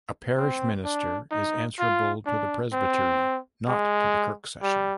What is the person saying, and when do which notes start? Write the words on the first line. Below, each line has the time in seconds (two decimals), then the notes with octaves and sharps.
A parish minister is answerable to the Presbytery, not to the Kirk Session.
0.37 C4
0.85 D4
1.32 D#4
1.79 F4
2.26 D4
2.73 C4
3.68 G#3
4.62 G3